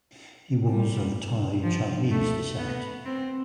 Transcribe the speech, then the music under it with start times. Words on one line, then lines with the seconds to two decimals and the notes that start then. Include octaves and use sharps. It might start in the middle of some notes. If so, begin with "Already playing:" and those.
He was of Thai Chinese descent.
0.70 G3
1.64 F3
2.11 A3
2.58 B3
3.06 C4